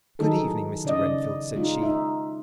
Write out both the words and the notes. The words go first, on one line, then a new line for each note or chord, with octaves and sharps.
"Good-evening, Mr. Renfield," said she.
D#3 E3 F#3 D#4 G#4 A4
C#3 D5 D#5
G#3 D#4 F4
D#4 E5